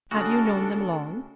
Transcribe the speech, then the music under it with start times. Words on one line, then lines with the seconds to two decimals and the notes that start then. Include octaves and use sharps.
"Have you known them long?"
0.11 C#3 A3 C#4 D4 F#4 A4